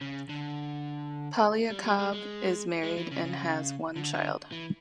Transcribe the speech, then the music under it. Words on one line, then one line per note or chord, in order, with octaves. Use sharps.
Polyakov is married and has one child.
C#3
D3
G3
G3
G#3
G#3
G#3
E3
C#3
C#3
D3
D3
E3